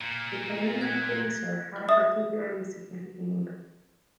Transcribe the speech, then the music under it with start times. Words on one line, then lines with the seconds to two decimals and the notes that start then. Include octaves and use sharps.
The Canadian Pacer had a particularly significant impact.
0.01 A#2
0.81 F#6 G#6
1.89 E5 D#6